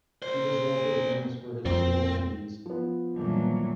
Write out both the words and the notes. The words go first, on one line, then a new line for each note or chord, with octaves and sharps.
He was locally famous for his herbal remedies.
A#3 C5
F2 C4
F3 B3
A#2 D#3 E3 F#3 G3 A#3 D4